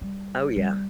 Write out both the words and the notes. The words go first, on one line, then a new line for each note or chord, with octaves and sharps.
Oh, yeah.
G3
G3